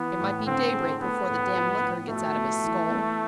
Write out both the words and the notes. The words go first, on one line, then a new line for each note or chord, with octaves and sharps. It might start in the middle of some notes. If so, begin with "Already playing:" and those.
It might be daybreak before the damned liquor gets out of his skull.
Already playing: E3 B3
A2
D3 C4
G#4
A3 B3
A2
F3
A2
B2 A3
B3
E3
B3